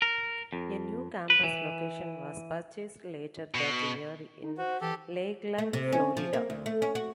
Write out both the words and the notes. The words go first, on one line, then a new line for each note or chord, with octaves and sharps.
A new campus location was purchased later that year in Lakeland, Florida.
A#4
F2
B4
E3
B2
D#4
F#4 C5
E3 G4 A4
A3
C3
C#4
F3
A#3
D2
A3
C#4
F#4